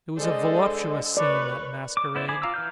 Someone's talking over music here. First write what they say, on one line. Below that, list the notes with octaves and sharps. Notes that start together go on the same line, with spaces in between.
It was a voluptuous scene, that masquerade.
D3 G#3 G#4 A4 C5 D5 D#5
D2 A#4 B4 C#5 D5
D6
B3 E4 C5 D5
G#4 G#5 B5 D6
F4 F5 A#5 D6 E6
E3 F6 G6